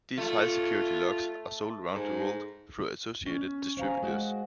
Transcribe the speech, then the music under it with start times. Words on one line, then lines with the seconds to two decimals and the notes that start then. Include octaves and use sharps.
These high security locks are sold around the world through associated distributors.
0.18 A3 F4
1.94 G#2
3.26 C#4
3.77 C#4 C5 F5 G#5 A#5
4.02 G#3 F#4